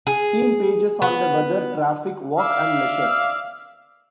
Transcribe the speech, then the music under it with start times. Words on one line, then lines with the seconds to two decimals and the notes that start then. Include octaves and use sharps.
Theme pages on the weather, traffic, work and leisure.
0.07 G#4
1.02 B3
2.39 D5 E5 F5